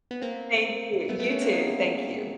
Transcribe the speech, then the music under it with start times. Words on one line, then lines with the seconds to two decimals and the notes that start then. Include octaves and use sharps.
Thank you. You too. Thank you.
0.11 B3
0.21 A#3 C4
1.09 A3 B3
1.19 A3 B3
1.30 B3 C#4
1.42 A#3 C4
1.52 G#3 A#3